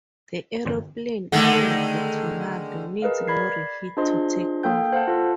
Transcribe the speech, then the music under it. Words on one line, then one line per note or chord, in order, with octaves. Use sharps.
The aeroplane, unlike the Tornado, needs no reheat to take off.
D3 D#3 G#3 A3 F#5
G#4 A#4 B4 D#5 F5
D5 B5 G#6 C7
D4 F4 G#4 C5 D#5 C6
A#3 A4 G5 G6
C5 F5 F#5 A5
F4 A4